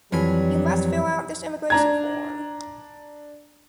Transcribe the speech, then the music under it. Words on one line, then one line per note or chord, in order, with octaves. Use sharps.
You must fill out this immigration form.
F2 E3 F#3 G3 G#5 B5
D4 A#5 G#6